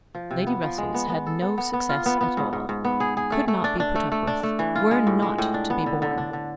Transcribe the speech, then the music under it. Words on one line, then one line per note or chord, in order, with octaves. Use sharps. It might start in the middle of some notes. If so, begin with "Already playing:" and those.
Lady Russell's had no success at all: could not be put up with, were not to be borne.
F3
C3
B3
F3
G#3
B3
B3
A4
B3
B3
B3
F4
B3
B3
G#2
G#2
G#2
B3
G#4
G#4
A3
A3
D4
D4
A3
A3
D4
A3
E3
F4
G#3
A2
G#3
A2
D4
B3
D3
D3
D4
D3